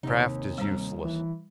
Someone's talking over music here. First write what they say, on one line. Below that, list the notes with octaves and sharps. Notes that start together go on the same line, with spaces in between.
Craft is useless!
D#2 C3 D#4
G3 C5 A#5
E3